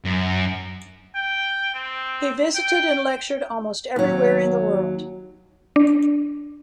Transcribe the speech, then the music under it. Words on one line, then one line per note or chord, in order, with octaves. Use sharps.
He visited and lectured almost everywhere in the world.
F#2
G5
C4
G5
D#2 F#3
D4